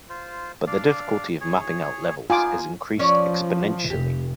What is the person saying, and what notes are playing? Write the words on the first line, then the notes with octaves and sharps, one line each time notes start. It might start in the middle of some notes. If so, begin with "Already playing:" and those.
But the difficulty of mapping out levels is increased exponentially.
F4 C5
D4 D5 F5
G#4 C#5
B3 D#4 F4 G#4 G#5 D6
F3 C#4 C#5 D5
F1 G4